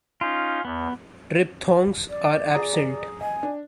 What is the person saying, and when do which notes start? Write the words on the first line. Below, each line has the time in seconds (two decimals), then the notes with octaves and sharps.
Triphthongs are absent.
0.21 C#4 D#4 F4
0.65 E2 B3
2.09 D5
2.53 G#4 A#5 D#6
3.21 D#5 G#5
3.43 D4